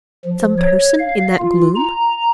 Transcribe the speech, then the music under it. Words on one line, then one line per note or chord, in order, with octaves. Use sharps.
Some person in that gloom?
F3
C#5
F5
F4
A#5